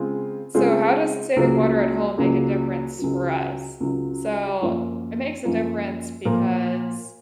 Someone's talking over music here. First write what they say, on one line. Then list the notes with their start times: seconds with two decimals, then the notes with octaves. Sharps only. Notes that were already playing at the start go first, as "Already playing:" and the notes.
so how does saving water at home make a difference for us? So, it makes a difference because
Already playing: C#3 G#3 C4 F4
0.54 C#3 G#3 C4 F4
1.36 C#2 C#3 F#3 A#3
2.17 C#2 C#3 F#3 A#3
2.99 C#2 C#3 F#3
3.80 C#2 C#3 F#3
4.61 F#2 F3 A#3 F4
5.44 F#2 F3 A#3 F4
6.25 A#2 F3 A#3 F4